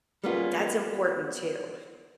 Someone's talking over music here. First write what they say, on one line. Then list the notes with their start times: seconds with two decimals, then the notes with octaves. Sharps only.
that's important too.
0.24 G3 G#3 A#3 B3 C#4 F4